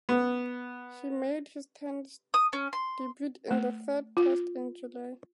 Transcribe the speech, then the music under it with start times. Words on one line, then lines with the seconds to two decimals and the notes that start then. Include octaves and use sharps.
He made his Test debut in the third Test in July.
0.09 B3
2.34 D#6
2.53 C#4
2.73 C6
3.51 A3
4.17 F4